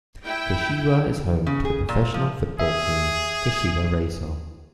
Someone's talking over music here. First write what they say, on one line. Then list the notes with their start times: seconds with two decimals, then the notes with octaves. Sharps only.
Kashiwa is home to the professional football team Kashiwa Reysol.
0.24 E4 G5
1.46 C#3
1.65 G#4
1.89 A#2
2.14 F3
2.60 G#4 E5